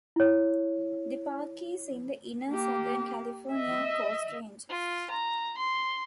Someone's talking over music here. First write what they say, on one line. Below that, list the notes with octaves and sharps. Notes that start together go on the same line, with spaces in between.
The park is in the Inner Southern California Coast Ranges.
E4 C#5
A#3 G4
D#5 E5
F4
A#5
C6